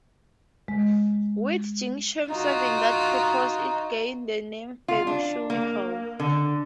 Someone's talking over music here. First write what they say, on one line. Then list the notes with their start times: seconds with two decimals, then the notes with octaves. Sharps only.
With Jingshan serving that purpose, it gained the name Feng Shui Hill.
0.68 G#3
2.30 D#4 F4 F#4
4.88 F4
5.07 D4
5.50 A#3
6.20 D3